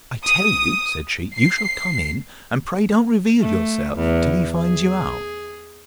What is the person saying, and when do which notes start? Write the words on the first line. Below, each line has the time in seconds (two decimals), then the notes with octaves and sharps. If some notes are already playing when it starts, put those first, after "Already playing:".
I tell you, said she, you shall come in; and pray don't reveal yourself till he finds you out.
0.25 D#6
1.34 C7
3.41 A3
3.96 E2
4.57 G#4